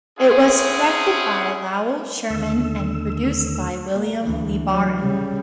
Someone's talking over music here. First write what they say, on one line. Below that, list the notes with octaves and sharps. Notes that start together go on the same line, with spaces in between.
It was directed by Lowell Sherman and produced by William LeBaron.
C4 C#4 E4 G#4 F#5
D#2 D3 A3 E6
A#3
D2 E3
E3 F#3
C#3 G3